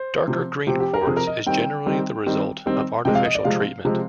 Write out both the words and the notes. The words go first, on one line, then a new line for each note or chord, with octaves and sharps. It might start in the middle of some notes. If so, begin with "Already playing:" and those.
Darker green quartz is generally the result of artificial treatment.
Already playing: C5
C3 F3 C4
C3 F3 C4 G4
G4
A#4
G4
C3 F3 C4 G#4
A#4
D#5
D#3 G3 C4 G5
D#3 G3 C4
D#3 G3 C4
D#3 G3 C4
C3 F3 G#3 C4 G5
F5
D#5
D5
C3 F3 G#3 C4 F5
C3 F3 G#3 C4